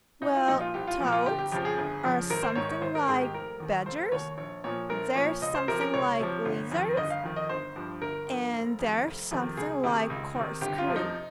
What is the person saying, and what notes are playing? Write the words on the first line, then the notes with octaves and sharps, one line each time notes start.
'Well, "TOVES" are something like badgers--they're something like lizards--and they're something like corkscrews.'
C2 D#4
F4
A#2 F3 D#4
F4
C2 G4
F4
A#2 F3
F4
G1 G4
G4
F2 C#3 F3 G4
G#4
G1
F2 C#3 F3
G#1 A#4
C5
G#2 D#3 C#5
C#5
G#1 C5
A#4
G#2 D#3 G#4
G4
F1 A#4
D#2 D#3
F1 C5
D#2 D#3 C#5
A#1 C#5
A#2 F3 C#5
A#1 A#4
A#2 F3 C#5
C#2 D#5
C5
C3 F3 A#4
A#4
C#2 C#5
C3 F3
G1
F2 D#3
G1 D#5
F5
F2 D#3
D#5
G1 C5
G2 F3
G1 A#4
G2 F3
F1
F2 C3 D#3
F1
F2 C3 D#3
C#2 G#4
C3 D#3
C#2
C3 D#3
G1 G4
F4
F2 C3 F3
D#4